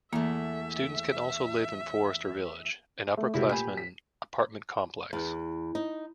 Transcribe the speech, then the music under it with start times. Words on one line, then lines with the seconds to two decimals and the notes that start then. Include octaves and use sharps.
Students can also live in Forester Village, an upper class-man apartment complex.
0.13 E2 A3 A#3 E5
3.17 A3
3.34 F1 G#3 E4 F#4 G4 B6
3.49 A#2 G4 G#5 B5
3.77 B6
5.13 E2
5.75 D#4